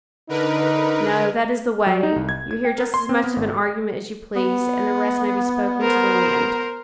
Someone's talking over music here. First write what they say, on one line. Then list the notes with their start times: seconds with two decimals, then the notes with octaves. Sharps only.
'No; that is the way: you hear just as much of an argument as you please; and the rest may be spoken to the wind.'
0.29 D3 D#4 A#4 B4
1.86 F#3
2.03 D#4
2.16 C2
2.29 G#6
2.51 G#6
2.65 G5
2.78 A#4
2.94 C6
3.09 C4
3.24 B3
3.36 G#1
4.36 B3
5.81 A#4 C5